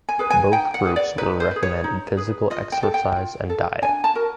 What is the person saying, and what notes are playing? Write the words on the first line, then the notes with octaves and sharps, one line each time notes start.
Both groups were recommended physical exercise and diet.
G#5
G#4 B4
G#5
D#4 G5
F#5
G#4 B4
D5
D#4 B4
C5
G#4 B4
C#5
D#4
G#4 B4
F4 D#5
G5
A4
G5
F4
A4
D4 G#5
A5
F#4 A#4